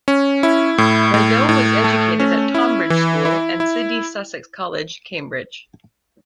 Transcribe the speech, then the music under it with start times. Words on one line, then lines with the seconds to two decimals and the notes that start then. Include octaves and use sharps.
Prideaux was educated at Tonbridge School and Sidney Sussex College, Cambridge.
0.08 C#4
0.43 E4
0.78 A2
1.14 A2
1.49 A2
1.84 A3
2.20 C#4
2.54 E4
2.90 E3
3.25 E4
3.60 E4